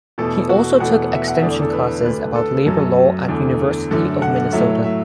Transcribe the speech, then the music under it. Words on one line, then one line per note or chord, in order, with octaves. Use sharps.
He also took extension classes about labor law at University of Minnesota.
E2 B2 A3 A4
F#4
E2 B2 A3 F#5
E5
F#5
E5
E2 D3 A3 D5
A4
B4
D2 D3 A3 B4
A4
F#2 F#3 A3 A4
E2 D3 A3
F#2 D3 A3 A4
F#5
A2 F#3 A3 E5
E5